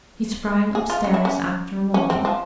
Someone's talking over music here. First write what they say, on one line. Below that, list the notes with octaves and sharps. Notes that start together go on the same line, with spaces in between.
He sprang upstairs after Wally.
G#4
F4
C#4
E4
C#4
C#4
C4
F3